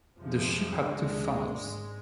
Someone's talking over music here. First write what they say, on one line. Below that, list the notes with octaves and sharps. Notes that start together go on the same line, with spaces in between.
The ship had two funnels.
F2 C3 F3 G#3
D2 C3 G#3 D4
G#1 G#2 G#3